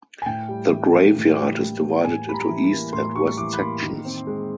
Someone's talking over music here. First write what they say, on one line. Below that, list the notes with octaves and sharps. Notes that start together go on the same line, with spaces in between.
The graveyard is divided into east and west sections.
G#5
A2 G5
G3
E3
A#3
A2
G3
E3
A#3
A2 G#5
G3 B5
A#5
E3
B5
A#3
A2 C6
G3 C#6
E3 D6
B5
A#3 C6
D#3
C4
G#3